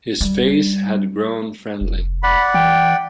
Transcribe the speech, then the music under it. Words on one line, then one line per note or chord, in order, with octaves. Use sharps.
His face had grown friendly.
G3
F1
D5 F#5 B5
E3 G5